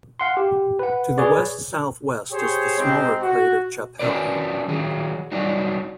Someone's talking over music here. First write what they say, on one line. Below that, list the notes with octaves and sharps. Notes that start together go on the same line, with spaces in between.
To the west-southwest is the smaller crater Chappell.
F5 F#5 C6
G4
B4 F#5
G#4 B4 C#5 D5
G4 G#4 C5 C#5
G#3 C4 D#4 G4 C5
F#4
C#4 D4 F#4 A#4 B4 D5
D#3 F#3 G#4
F#3 G3 D#4 F#4 D5